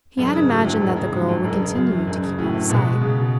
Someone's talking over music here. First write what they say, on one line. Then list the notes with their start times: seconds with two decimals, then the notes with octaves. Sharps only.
He had imagined that the girl would continue to keep out of sight.
0.17 E1 F#2
0.33 C#3
0.39 G#2
0.49 F#3
0.60 D2 A2
0.80 E1 A2
0.96 C#3
1.12 G#2 F#3
1.28 D2
1.43 E1 F#2
1.59 C#3
1.75 F#2 F#3
1.91 D2
2.07 E1 F#2
2.22 C#3
2.38 A2 F#3
2.53 D2
2.69 C#2 B2
2.85 G#3
3.01 C#2 C#3
3.17 B2